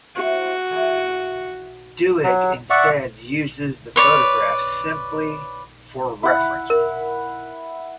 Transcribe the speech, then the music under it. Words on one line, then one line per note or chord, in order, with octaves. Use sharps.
Doig instead uses the photographs simply for reference.
G3 E4 F#4 C5
E3 G#4
F#3
D5 E5 F#5 C#6
B4 C#5 D5
E4 F#5
A#4